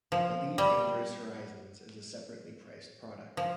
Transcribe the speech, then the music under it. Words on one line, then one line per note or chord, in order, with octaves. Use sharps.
"Elite Dangerous Horizons" is a separately priced product.
F3
G3
F3